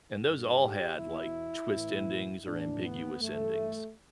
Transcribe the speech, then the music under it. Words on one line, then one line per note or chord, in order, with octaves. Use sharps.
and those all had, like, twist endings or ambiguous endings,
G2 D3
G4
E2 B2 E4
A2 E3
A2 E3 D4
B3
G2 E3 A3